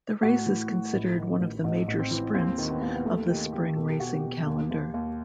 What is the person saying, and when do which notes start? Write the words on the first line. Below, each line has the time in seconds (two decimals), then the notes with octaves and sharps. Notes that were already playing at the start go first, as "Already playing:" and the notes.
The race is considered one of the major sprints of the spring racing calendar.
0.22 A2 F#4
0.46 E3
0.69 A2
0.93 A1 E4
1.17 D#3
1.40 A1
1.64 A1 D#4
1.88 A1
1.99 C4
2.11 E3
2.34 D#2 C4
2.58 D#3
2.71 B3
2.82 D#2
2.96 B3
3.05 D#2 A3
3.29 D#3 G4
3.53 D#3 G4
3.76 B1 A4
3.88 G4
4.00 B1 F#4
4.12 G4
4.23 B2
4.47 D#2
4.71 D#2
4.94 D#2